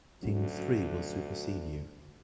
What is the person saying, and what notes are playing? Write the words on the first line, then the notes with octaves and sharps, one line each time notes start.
Team three will supersede you.
D2 F#3 C#4 F#4